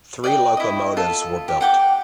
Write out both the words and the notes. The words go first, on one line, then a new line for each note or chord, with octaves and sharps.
Three locomotives were built.
D5 D#5 F#5 G5
E4 D#5
F4 A4
G4
F#5 G5 D6